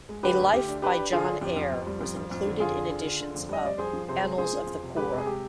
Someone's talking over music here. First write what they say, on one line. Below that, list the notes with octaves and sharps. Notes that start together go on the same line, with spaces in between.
A life by John Ayre was included in editions of "Annals of the Poor".
G#3
D3 G4 B4
D2
D2 G4
D4
D4 G4 B4
D4
D3 F4 G#4
D4
F2 G4
F2
F2
G3
F2
F2
F2
D3
F2 F4 G#4
D3
D3
D3
D3
F2
G3 D#5
G3 D5
F2 G#4 C5
F3
C3 G#4 C5
G#3
F3 G#4 C5
F3
F2
C3
G#3 G4 B4
C3
G#4
G#3 G4